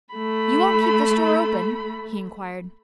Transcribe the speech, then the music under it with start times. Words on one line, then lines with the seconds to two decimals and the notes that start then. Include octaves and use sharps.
"You won't keep the store open?" he inquired.
0.14 A3 B5